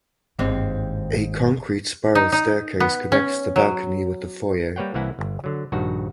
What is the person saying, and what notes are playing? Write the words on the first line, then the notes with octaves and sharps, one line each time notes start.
A concrete spiral staircase connects the balcony with the foyer.
G1 D#2 G#2 C4 E4
D#4
D#4
B3
C#4
F#3
G3 A#3 B4 C#5 F#5 G5
C2 E3 A#3 E4 F#5 G#5
G1
D3 F#3
A#1 G2 D#3 F#4